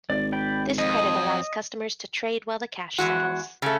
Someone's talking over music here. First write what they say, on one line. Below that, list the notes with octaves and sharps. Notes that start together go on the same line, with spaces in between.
This credit allows customers to trade while the cash settles.
G#1 D5
D5 G5 B5
F2 D#5
E2 D#3 G#3 F#4
C#3 A3